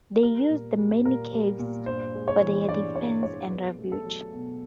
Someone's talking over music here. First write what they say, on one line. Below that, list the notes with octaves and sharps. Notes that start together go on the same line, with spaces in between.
They used the many caves for their defense and refuge.
G3 A#4
A#2
G3
A#2 A#4
G3
A#2
G2 C5
G#3
C#5
E3
G2 D5
G2 C#5
G#3 C#5
B2 B4
A3
A4
F#3
B2